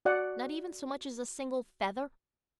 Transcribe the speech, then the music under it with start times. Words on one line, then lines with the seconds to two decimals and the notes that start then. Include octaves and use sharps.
"Not even so much as a single feather?"
0.05 F#4 D5 F#5